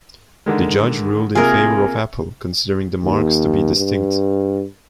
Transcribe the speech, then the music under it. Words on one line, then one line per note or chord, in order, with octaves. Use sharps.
The judge ruled in favor of Apple, considering the marks to be distinct.
D3 D#3 G#3
C3 A#3 F4 G#4 A#4
D#2
G2